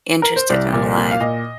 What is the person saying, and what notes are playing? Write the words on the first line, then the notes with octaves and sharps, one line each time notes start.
interested and alive.
A#4
C5
C2 D5
A#2
A#2
F5
A#2 D#5